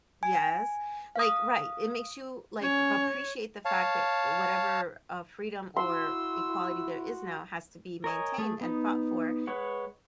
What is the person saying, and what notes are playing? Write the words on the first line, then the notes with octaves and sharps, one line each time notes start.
Yes, like, right, it makes you, like, appreciate the fact that, eh, whatever, uh, freedom or equality there is now has to be maintained and fought for.
G#5
F5 D#6
C#4 C#5
C#5 F5 A5
E4 F#4 C6 E6
A#4 C#5 D#5 G#5
A3 G#4
B3 D#4
G#3 B4 C#5 F#5